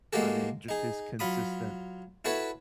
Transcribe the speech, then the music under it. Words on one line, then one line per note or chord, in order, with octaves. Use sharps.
I mean, just his consistent
G#3 A#3 F#4 G4 A4
D#4 G#4
F#3 F4 B5 D#6
E4 F#4 A4 B4 C#5 E5